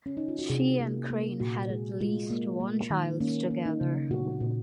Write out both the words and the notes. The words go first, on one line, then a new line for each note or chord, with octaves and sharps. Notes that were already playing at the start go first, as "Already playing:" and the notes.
She and Crane had at least one child together.
C#4
D#4
F4
F#4
C3 G#4
A#3
A#3
A#2 F#4
G#3 G#4
G#3 F4
A#3
A#3
D#3
A#3 C#4
A#3
D#4
C#3
A#2 F#4
A#2